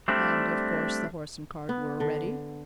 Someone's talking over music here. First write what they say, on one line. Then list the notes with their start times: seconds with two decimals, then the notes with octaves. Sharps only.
"And, of course, the horse and cart were ready?"
0.08 G3 A3 C4 D4
1.69 B3
2.00 D3